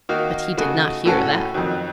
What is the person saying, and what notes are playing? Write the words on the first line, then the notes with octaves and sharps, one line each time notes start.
But he did not hear that.
D#3 A#3 D#4 F#4
C#3 A3 D#4 F#4
A2 A3 C#4 F#4 A4
F2 D#3 F#3